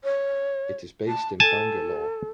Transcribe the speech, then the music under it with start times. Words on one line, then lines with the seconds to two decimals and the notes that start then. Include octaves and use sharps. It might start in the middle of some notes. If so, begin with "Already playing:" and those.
It is based in Bangalore.
0.04 C#5
1.08 A5
1.40 A4 G#5 A5